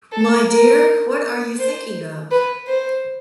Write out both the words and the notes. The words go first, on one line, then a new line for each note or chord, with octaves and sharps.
My dear, what are you thinking of?
A4
A#4
C5
B4
C5